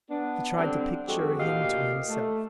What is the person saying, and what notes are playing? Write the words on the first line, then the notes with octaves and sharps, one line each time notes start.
He tried to picture him to himself.
B3 D4
D3 G3 C4 D4
F2 G#3 F#4 G4 A4
D2 A#2 G4 D#5 F5
A3